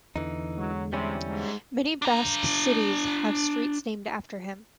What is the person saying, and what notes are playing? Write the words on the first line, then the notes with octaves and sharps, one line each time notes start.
Many Basque cities have streets named after him.
E2 D3 E3 D#4
F#3 G#3
C3 G3 C#4 E4
G#2 G#3
D4 A#5